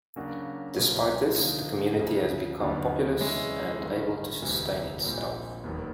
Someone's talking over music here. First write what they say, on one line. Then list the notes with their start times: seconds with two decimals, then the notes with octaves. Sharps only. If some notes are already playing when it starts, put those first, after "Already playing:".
Despite this, the community has become populous and able to sustain itself.
0.16 C#3 F#3 A#3 D4 F#4
0.77 C#2 B2 F#3 A#3
1.38 D3 F3 A#3 D#4
1.99 D2 C#3 F3
2.59 D#2 D3 F#3 B3
3.20 C3 E3 G#3 C#4 E4
3.81 G1 G2 D#3
4.42 E1 D2 C3 E3 G3
5.03 A#1 A#2 G3 C4
5.64 E1 D#2 D#3 F#3 B3